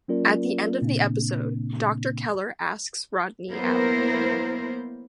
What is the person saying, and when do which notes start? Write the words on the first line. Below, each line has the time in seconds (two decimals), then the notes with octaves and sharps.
At the end of the episode, Doctor Keller asks Rodney out.
0.08 F#3 A#3 C#4 F4 A#4 D5
0.82 A#2 C#3 A#3 C4 D4
3.51 F#3 A#3 B3 E4 A#4 C5